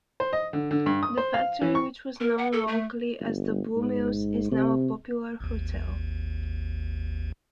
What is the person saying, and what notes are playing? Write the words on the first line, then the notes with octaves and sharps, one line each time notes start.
The factory, which was known locally as "the bluemills", is now a popular hotel.
C5
D#5
D3
D3
G2
D#6
C5
F5
E3
C#6
A#4
F#5
A4
A3
G1
G#2
C3
G#1 D#2